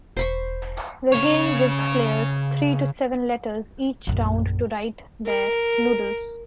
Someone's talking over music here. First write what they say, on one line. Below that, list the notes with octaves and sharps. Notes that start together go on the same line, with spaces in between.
The game gives players three to seven letters each round to write their Noodles.
E1 C5 B5 C#6
C#3 C#5
A#1 F#2
A#4